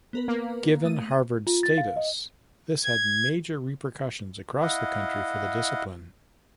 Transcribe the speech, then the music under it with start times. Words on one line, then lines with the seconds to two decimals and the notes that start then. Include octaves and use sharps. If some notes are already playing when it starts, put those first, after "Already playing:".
Given Harvard's status, this had major repercussions across the country for the discipline.
0.13 B3 A#4 B4
0.28 A#3
0.84 A3 D#6 D#7
1.47 F4
1.63 A6
1.78 F5
1.96 D#5
2.83 G#6
4.62 E4 D#5 F5 F#5